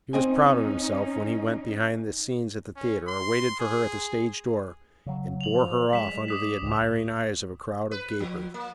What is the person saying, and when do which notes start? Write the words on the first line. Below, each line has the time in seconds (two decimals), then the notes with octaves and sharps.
He was proud of himself when he went behind the scenes at the theatre or waited for her at the stage door and bore her off under the admiring eyes of a crowd of gapers.
0.13 C4 C#4 D#4 D#5 G#5
2.76 C#4
3.07 C6
3.60 G#4
5.06 C#3 F#3
5.41 F7 F#7
5.54 F3
5.93 G3 G#3 B6 E7
6.28 D6 D#6 B6
6.62 C#2 G#2
7.91 B4
8.20 F3
8.54 A#3